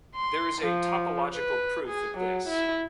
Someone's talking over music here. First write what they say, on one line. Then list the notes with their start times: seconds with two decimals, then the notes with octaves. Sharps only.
There is a topological proof of this.
0.15 C6
0.62 F3
1.34 B4
1.87 G#4
2.18 F#3
2.48 E4